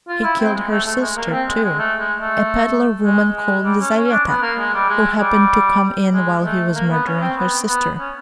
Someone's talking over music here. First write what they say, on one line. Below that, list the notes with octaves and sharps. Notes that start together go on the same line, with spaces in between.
He killed her sister too, a pedlar woman called Lizaveta, who happened to come in while he was murdering her sister.
F4
E4
C4
G#3
A3
A3
G#3
A#3
C4
G#3
G#3
A3
G#3
A3
G#3
G#3
G3
C#4
C#4
D4
B3
A#3
G#3
G3
G#3
G3
G#3
A3
A#3
B3
C#4
C4
B3
B3
C#4